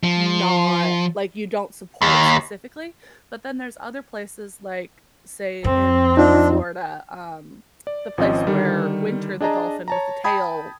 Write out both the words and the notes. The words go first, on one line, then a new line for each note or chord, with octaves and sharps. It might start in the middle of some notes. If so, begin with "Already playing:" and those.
not like you don't support specifically, but then there's other places, like, say in in Florida, um, the place where Winter the dolphin with the tail
F3
D#2
F2 C4
D4 D#4 F4 D#5
D5
G#1 F3 C4 C#4 D#5
D3 D#3 G3
D4 G#4 D#5 A5 A#5
C#5 A5 A#5
G5 A5 B5 D#6 G#6